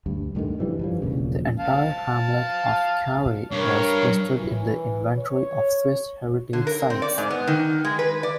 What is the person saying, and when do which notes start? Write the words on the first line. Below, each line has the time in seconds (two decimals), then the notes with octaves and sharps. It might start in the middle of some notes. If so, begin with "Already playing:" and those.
The entire hamlet of Carre is listed in the Inventory of Swiss Heritage Sites.
0.06 D2 G2
0.35 D2 G2 D3 D#3
0.59 F#2 E3 F3 G3
0.79 G2 E3 F3
1.02 E1 A#1 A#2 C#3
1.59 F5 A5
3.51 G2 A#4 C#5
4.37 E3
5.17 C#5
6.53 D3
6.67 A#4
6.90 C4
7.02 D5
7.18 G#2
7.31 B3
7.47 D#3
7.85 G#3
7.99 B4
8.23 D5